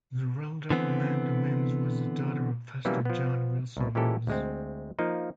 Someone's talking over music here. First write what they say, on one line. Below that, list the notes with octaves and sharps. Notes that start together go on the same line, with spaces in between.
Zerelda Amanda Mimms was the daughter of Pastor John Wilson Mimms.
D3 E3 B3 C4
B2 E3 F#3 G3 A#3 C#4
F3 B3
C2 B2
A#2 E3 G#3 C#4 G4 A4
D2 G#3 C4
F3 A#3 D#4